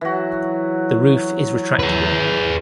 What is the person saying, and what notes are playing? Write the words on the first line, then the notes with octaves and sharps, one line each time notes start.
The roof is retractable.
E3 F#3 F#4
G#4 B4